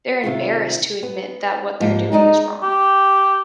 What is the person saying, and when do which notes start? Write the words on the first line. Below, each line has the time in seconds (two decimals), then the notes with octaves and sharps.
they're embarrassed to admit that what they're doing is wrong."
0.24 C3 D#3 F4
1.03 B3
1.80 G#2 F3 A#3
2.12 G#3 D#4 D5 D#5
2.63 G4